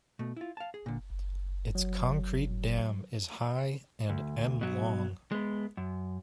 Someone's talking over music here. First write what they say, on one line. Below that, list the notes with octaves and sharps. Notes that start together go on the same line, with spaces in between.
Its concrete dam is high and m long.
B2 A3
E4 F4
F5 A5
G#4
A#2 D3
F#3
D2
B2 F#3
G#3 B3
F#2